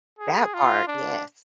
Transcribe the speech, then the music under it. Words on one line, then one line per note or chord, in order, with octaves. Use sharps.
That part, yes.
G#4
F4
D4